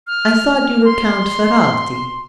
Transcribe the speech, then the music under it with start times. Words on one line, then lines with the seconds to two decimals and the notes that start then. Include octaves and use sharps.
"I thought you were Count Ferralti."
0.07 F6
0.85 C6